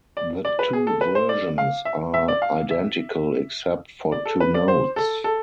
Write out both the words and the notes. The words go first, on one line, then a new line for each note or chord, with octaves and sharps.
The two versions are identical except for two notes.
D5
D5
B4
G#4
A4
B4
C5
D5
F5
E5
E5
D5
F5
E5
D5
A4
B4
D5
C5
A4
A4